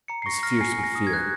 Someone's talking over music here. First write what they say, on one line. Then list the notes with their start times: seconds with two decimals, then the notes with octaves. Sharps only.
I was fierce with fear.
0.08 A#5 C#7
0.22 C7
0.26 C#6 A#6
0.43 F6 A#6
0.56 C#7
0.61 G#5 C7
0.79 G#5
0.84 A#6
0.95 D#6
1.07 G#6
1.13 F#6